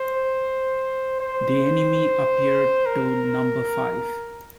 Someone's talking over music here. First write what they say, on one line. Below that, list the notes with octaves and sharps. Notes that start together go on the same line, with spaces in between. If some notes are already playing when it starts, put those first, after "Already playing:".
The enemy appeared to number five.
Already playing: C5
C5
A#4